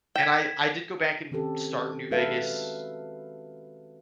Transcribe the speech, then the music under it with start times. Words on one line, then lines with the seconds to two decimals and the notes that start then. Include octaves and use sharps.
and I I did go back and start New Vegas,
0.16 G5 G#6 B6 E7
1.32 D#3 C4 C#4 G4 A4
2.11 G#3 F#4 A4 B4 E5 F5